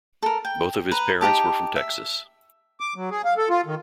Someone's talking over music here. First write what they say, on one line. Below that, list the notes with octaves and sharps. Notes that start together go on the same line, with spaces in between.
Both of his parents were from Texas.
A4 A#4
G5
B4 A#5
D#4 F#4 G4 A5
E5
D6
F#3
G#4
F5
A4
F4
D#3